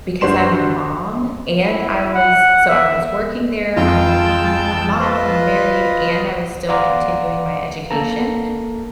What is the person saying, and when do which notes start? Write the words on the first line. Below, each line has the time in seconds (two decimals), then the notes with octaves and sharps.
because I'm a mom, and I was so I was working there, I'm a m a mom, I'm married, and I was still continuing my education,
0.21 G2 F#4 C5 C6 E7
1.65 E4
2.14 F#5
2.68 E5
3.77 F2 G#3 F4 G5 A5 E6 G6
5.00 F4 B4 C5 D#5
6.69 D5 F5 F#5 A#5 C6 D6
7.91 A#3 A4 A#5